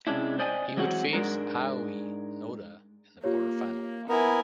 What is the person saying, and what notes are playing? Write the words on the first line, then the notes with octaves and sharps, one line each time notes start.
He would face Aoi Noda in the quarterfinal bout.
C3 G#3 C#4 D4 E4
C5 D5 D#5 G5 G#5
E3 F#3 G#3 C4 F#4 F#5
G#2 D#3 G#3 D4 A#4
A#3 F4 G4 C#5
B3 E4 A#4 G#5